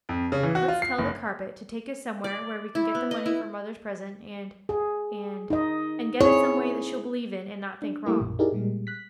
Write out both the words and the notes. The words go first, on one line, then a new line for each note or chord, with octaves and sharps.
Let's tell the carpet to take us somewhere where we can get the money for mother's present, and--and--and get it some way that she'll believe in and not think wrong.'
F2
C#3
E3
F#4
F4
C7
F#1
D5
E4
B3
D#5
E4
G#4
D#4 D#5
C4 E4 G#4 C#5
D4
G3 A3 A#3 E4 A#4
A#1 F#2
D#4 E4 G4 G#4 A#4 D5
A#2 G3 G#3
F#6 B6